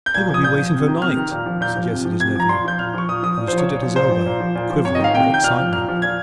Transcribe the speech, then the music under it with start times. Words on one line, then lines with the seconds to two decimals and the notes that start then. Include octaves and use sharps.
"They will be waiting for night," suggested his nephew, who stood at his elbow quivering with excitement.
0.06 G6
0.14 A#2 G#6
0.29 F3 D#6
0.43 A#2 G6
0.59 F3
0.74 C3
0.88 D#3
1.02 C3 F6
1.17 D#3
1.31 A#2
1.46 F3
1.61 A#2 G6
1.75 F3
1.91 C3
2.05 F3
2.20 C3 G#6
2.35 F3 A#5
2.49 A#2 C6
2.64 F3 G6
2.79 A#2 F6
2.94 F3 C#6
3.09 A#2 D#6
3.23 F3 D#6
3.37 A#2
3.48 F3 C5
3.58 C#5
3.68 A#2
3.82 F3
3.96 A#2 C5
4.11 F3
4.26 A#2
4.40 F3
4.55 A#2
4.70 F3
4.85 C3 C#5
4.95 D#3 D#5
5.04 F5
5.14 C3 G5
5.29 D#3 G6
5.43 A#2 F6
5.59 F3
5.73 A#2 F6
5.88 F3
6.02 A#2 G#6